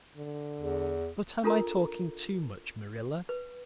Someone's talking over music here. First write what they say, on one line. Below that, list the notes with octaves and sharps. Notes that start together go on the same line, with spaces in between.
But am I talking too much, Marilla?
D3
E2
D4 F4 A4 A#4 A#5
B4